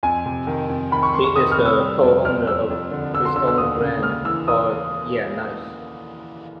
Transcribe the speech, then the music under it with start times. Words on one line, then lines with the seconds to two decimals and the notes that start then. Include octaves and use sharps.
He is the Co-Owner of his own brand, called Yea.Nice.
0.03 F2 G#5
0.25 C3
0.47 D#3
0.69 F2
0.91 D#3 B5
1.03 C#6
1.14 F2 C6
1.24 C#6
1.36 D#3 D#6
1.51 F6
1.58 C3
1.65 E6
1.80 G3
2.03 F2
2.25 F2 F6
2.47 F2 E6
2.70 F2
2.91 D3
3.14 D3 E6
3.25 C6
3.36 D3 E6
3.48 E6
3.58 D#2 D#6
3.80 C#3
4.03 D#2 F6
4.25 E3 E6
4.48 D#6